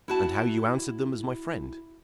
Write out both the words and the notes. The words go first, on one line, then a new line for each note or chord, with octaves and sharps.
"And how you answered them as my friend."
E4 F#4 A5